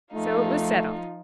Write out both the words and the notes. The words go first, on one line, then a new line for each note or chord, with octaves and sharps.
So it was settled.
F3 A3 D#4 F4